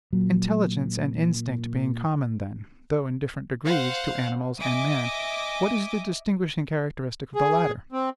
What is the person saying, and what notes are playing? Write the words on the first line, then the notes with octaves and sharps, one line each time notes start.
Intelligence and instinct being common, then, though in different degrees, to animals and man, what is the distinguishing characteristic of the latter?
A#2 F#3
C5 F5 F#5
D#5 E5 G#5 D6 D#6
G#4
C4